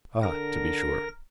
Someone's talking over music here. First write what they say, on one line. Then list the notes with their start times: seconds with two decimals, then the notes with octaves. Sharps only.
Ah, to be sure!
0.23 D3 A#4 A#6